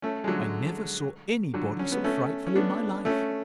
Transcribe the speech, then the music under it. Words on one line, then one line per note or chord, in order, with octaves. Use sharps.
I never saw any body so frightful in my life!
A3 C#4
G#3
D3 F#3
D3 F#3
C#4
B3
A3 C#4
C#4
B3 D4
A3 C#4